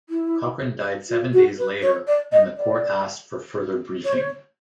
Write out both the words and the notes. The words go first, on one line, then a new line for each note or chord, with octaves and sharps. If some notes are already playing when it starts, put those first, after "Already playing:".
Cochran died seven days later and the court asked for further briefing.
E4
F4
F#4
B4
C#5
D5
D#5
D5
C#5
C5
C#5